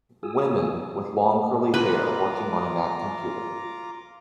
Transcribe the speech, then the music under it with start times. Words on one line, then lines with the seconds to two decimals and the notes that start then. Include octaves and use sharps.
Women with long curly hair working on a mac computer.
0.23 F4 F#4 G#4 G#5 D#6 E6
1.74 F4 B4 A#5 D6